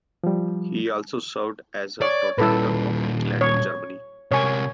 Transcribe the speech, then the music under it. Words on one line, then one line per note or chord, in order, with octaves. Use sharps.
He also served as the protector of England and Germany.
F3 G3
C#5 D5
A#2 G3 E4 A4 B4
C#5
C3 A#4 C#5 G#5